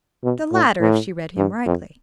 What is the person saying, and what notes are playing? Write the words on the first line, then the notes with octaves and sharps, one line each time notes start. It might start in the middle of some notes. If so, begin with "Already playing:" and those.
The latter, if she read him rightly.
B2
A2
A2
G2
F2